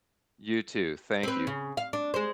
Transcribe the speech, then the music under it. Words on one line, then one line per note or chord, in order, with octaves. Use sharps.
You too, thank you.
C4 B4
C#3
F5
D4
G#3 C5